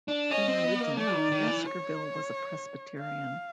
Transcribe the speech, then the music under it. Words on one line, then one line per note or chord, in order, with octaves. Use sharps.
In religion, Baskerville was a Presbyterian.
D4
C#4 D#5
C4
B3
A#3
A3 D5
D#3
D#3
E3
C#5
F5